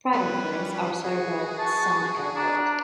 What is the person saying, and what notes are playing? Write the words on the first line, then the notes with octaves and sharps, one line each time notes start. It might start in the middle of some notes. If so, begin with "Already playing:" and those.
Private planes are served by Sumy Airport.
G3 C#4 B4
F#4 G#4
A5 C#6
D4 A#5